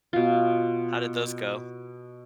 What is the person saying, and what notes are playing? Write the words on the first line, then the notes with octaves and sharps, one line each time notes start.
How did those go?
B2 F4